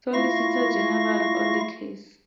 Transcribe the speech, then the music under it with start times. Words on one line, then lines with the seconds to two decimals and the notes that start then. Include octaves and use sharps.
Solicitor General on the case.
0.14 A3 E4 F4 F5 C#6 A#6